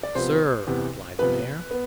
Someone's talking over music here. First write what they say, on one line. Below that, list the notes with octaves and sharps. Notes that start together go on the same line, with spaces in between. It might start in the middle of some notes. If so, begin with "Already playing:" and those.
"Sir," replied the mayor.
D5
C3 F3 B3 C5
E2 C3 E3 B3
C3 F3 B3 B4
B3